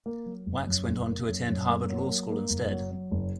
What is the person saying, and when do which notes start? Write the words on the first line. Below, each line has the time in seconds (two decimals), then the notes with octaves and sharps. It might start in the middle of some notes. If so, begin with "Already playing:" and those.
Wax went on to attend Harvard Law School instead.
0.06 A#3
0.26 F#3
0.46 F#1
0.67 F#2
0.88 F#1
1.08 A#3
1.28 F#2
1.48 F#2
1.69 A#3
1.90 F#3
2.10 A#3
2.30 A#3
2.50 F#1
2.70 F#3
2.91 F#3
3.11 F#1